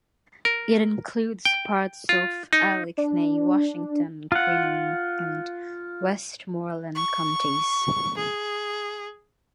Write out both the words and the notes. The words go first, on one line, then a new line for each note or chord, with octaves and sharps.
It includes parts of Allegheny, Washington, Greene and Westmoreland counties.
A#4
G5
F4
D#4
D4
F4 F#5
C#6
G#4